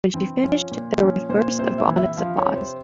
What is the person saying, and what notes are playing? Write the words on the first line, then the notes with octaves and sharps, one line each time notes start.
When she finished there were bursts of honest applause.
E3 C4
F3 C#4
A#2
F3 C#4
A#2 C5
C3 C5
E5
E3
E5
F3 F5
C#5
C3
C5